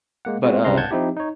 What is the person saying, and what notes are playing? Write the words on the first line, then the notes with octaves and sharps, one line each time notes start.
But, uh,
G#3 A#3 F#5
G#3 B3 C4 F4 F#4
C2 C#3 G3 C4 A#5 C6
F#5 A5 G6 G#6
F3 C4 D#4 E4 G4
D#4 C#5